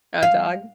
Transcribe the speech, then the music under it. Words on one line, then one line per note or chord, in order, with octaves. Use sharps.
A dog?
F5